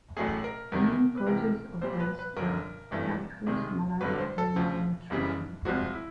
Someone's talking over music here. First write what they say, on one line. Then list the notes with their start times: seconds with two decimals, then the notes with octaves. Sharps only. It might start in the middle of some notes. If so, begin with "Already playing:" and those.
Main causes of death were typhus, malaria, and malnutrition.
0.17 A1 A2 F#3 A3 G#4
0.44 A#4
0.72 E2 C3 D#3 A#4
1.17 B4
1.26 C#2 C3 E3 A#4
1.81 A#1 A#2 G3 C5
2.00 B4
2.19 B4
2.37 G1 F#2 D3 A#4
2.91 G#1 G2 E3 A3
3.46 C2 C3 D#3 G#3
4.01 G1 G2 D3 B4
4.19 C5
4.38 A4
4.56 D2 C#3 F3
5.10 F#1 F#2 C#3 E3 G3
5.65 C2 C3 F3 G#3 F#4
5.93 E4